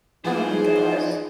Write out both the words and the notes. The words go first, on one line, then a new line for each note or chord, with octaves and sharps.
Oh my gosh.
E3 F3 D#4 G#4 C5